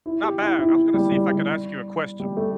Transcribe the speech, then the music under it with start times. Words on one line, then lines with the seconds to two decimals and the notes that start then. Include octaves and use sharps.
Not bad. I was gonna see if I could ask you a question.
0.06 E4
0.23 G4
0.41 E4
0.59 E4
0.94 G3
1.12 G3
1.30 G3
2.20 G3
2.37 A3